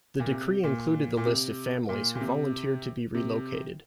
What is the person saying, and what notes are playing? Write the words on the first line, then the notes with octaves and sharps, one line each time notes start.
The decree included the list of families who volunteered to be relocated.
A#2
C3
A#2
A#2
C3
A#2
A#2
C3
C3